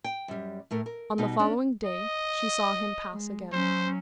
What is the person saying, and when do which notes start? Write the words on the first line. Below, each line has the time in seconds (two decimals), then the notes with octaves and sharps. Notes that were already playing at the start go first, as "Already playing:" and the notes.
On the following day, she saw him pass again.
0.04 G5
0.28 F#2 G3
0.71 A2 A3 A#4
0.86 A#4
1.18 B2 G3 D#4
1.39 C#4 D4
1.85 D#5
3.12 G#3
3.52 F#3 C#4 C5